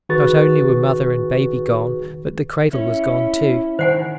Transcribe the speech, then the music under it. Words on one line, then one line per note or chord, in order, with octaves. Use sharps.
Not only were mother and baby gone, but the cradle was gone too.
D#3 F#4 G#4 B4 C#6 A6
C#4 E4
D#3 C5 F#5 G#5